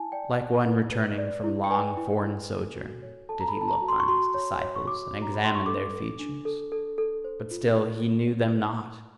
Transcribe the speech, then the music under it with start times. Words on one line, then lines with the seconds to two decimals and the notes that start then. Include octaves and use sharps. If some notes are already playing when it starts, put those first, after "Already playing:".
Like one returning from long foreign sojourn did he look on his disciples, and examined their features; but still he knew them not.
Already playing: E4 G#5 A5
0.12 D5 G5
0.38 D5
0.65 E4
0.92 B4
1.18 D5
1.44 E4
1.64 G5
1.71 B4 G#5
1.97 E4
2.23 E4
2.50 A4
2.76 F#4
3.02 C#5
3.29 A4 A5
3.40 A#5
3.48 B5
3.55 A4
3.61 A5
3.68 A#5
3.82 F#4
3.88 C6
4.00 C#6
4.08 F#4 C6
4.34 C#5
4.61 C#5
4.76 C#6
4.87 F#4 D6
5.14 F#4
5.22 A#5
5.33 B5
5.40 C#5 C6
5.55 C#6
5.66 A4 D6
5.93 A4
6.19 D4
6.45 A4
6.72 A4
6.98 A4
7.25 C5
7.51 F4